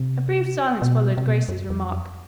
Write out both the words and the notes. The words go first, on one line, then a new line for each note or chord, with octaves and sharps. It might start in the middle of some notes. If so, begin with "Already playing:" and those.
A brief silence followed Grace's remark.
Already playing: C3
B2
C3
B2
F#2
F2